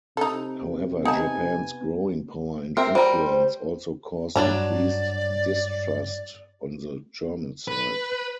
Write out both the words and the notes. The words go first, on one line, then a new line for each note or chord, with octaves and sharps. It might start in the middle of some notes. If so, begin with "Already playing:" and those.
However, Japan's growing power and influence also caused increased distrust on the German side.
C3 D#4 A4
B3 D#4 G#5 A5
C4 A#4 E5
G3 A#4 C5
G2 F#3 D4 D5 A#5
B4